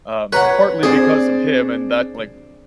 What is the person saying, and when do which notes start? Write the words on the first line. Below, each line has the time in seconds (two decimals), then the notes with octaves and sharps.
Um, partly because of him and that like,
0.33 B4 C#5 F#5 A#5
0.83 C4 D4 G#4 C5 D5